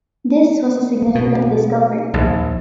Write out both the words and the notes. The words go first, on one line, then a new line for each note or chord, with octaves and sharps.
This was a significant discovery.
B2
A#1 D#2